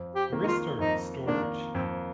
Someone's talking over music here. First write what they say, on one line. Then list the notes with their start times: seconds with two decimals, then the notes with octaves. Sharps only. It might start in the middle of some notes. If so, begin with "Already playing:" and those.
The rest are in storage.
Already playing: F2
0.15 G4
0.32 D#3 A#3
0.44 D#4
0.47 F4
0.79 F2 D#4
1.26 D#3 A#3 D4
1.74 F2 C4